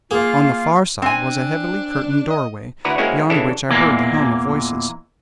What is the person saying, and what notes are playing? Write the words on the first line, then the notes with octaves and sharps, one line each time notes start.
On the far side was a heavily curtained doorway beyond which I heard the hum of voices.
A#3 F4 G#4
C4 D4 G#5
D#5
D2 E4 F#4 B4 D5 A#5
G#3 A#3 C4 C#4 E4 F#4
C#3 E3 D4 G4 A4
E2 A#2 E3 G#3 A#3